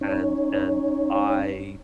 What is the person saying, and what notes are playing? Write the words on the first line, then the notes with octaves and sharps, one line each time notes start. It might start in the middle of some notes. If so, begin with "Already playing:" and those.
and and I
C#4 D#4 C#5